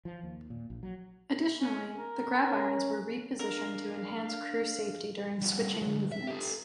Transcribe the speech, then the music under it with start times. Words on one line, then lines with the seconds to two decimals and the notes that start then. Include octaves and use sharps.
Additionally, the grab irons were repositioned to enhance crew safety during switching movements.
0.05 F3
0.23 D#2
0.50 A#2
0.70 A#1
0.83 F#3
1.61 C#4
1.99 A#4
2.48 C#4
3.39 D4 A#4 F5
5.42 G3 F4
5.82 D3 F#3
6.12 E5
6.27 G4 A4